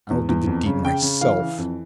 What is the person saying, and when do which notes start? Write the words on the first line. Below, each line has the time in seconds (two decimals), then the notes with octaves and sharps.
"I'll do the deed myself."
0.10 E2
0.29 E2
0.47 F2
0.66 C#3
0.85 C#3 G5
1.02 C#3
1.21 E3 F5
1.40 E3
1.58 F2